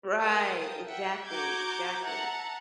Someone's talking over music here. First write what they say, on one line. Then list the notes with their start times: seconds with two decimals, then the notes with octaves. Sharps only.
Right. Exactly, exactly.
0.22 A#4 F5 G5 A5 D#6
0.85 E5 F#5 G5
1.26 F#4 A#5 D6 G6 G#6
2.05 E5 F#5 A5 A#5